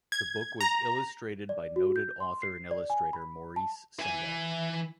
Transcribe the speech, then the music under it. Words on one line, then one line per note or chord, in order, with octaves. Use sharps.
The book was illustrated by noted author and illustrator Maurice Sendak.
G#6
A#5
D5
F#4
G6
C6
C7
D5
G#5
B5
A5
E3 G#5